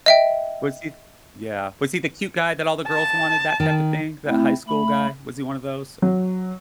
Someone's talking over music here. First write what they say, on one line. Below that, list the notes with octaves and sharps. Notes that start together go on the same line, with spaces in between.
Was he Yeah. Was he the cute guy that all the girls wanted, that type of thing? That high school guy? Was he one of those?
D#5 E5 G5
A5
D#3
A3 C4 E4
A3 B5
F#3